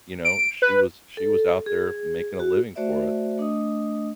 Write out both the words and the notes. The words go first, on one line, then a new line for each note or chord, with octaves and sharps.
you know, she was she was out there making a living for us.
D7
B4
A4
G#4
F#4
A3 F#4 C5 D5 E5
A3 D4 D#5 D#6